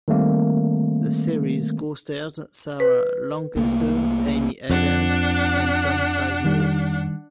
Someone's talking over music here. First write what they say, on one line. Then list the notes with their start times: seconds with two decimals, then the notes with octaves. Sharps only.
The series co-starred Sarah Lancaster, Amy Adams, and Tom Sizemore.
0.08 D#3 G3 A3 A#3 C4
2.80 B4
3.56 C2 A3 A#3
4.70 F2 D4 F#5
6.45 D#3 G3